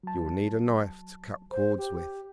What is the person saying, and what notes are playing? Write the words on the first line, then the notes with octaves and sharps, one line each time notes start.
You will need a knife to cut cords with.
F#3 A5
C5
G4